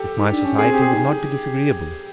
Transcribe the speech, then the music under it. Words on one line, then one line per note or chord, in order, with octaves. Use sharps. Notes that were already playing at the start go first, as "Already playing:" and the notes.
"If my society would not be disagreeable."
Already playing: G4 A4
D#4
D4
C#4
C4 G#4
G4
G#4
D#4